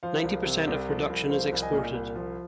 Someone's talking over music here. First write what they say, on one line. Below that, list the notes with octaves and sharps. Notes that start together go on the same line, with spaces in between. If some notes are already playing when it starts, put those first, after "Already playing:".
Ninety percent of production is exported.
F3 C5 F5
C2
C3
C2
F3
C2
F3 C5 F5
C2
D#5 G#5
A#2
C2
F3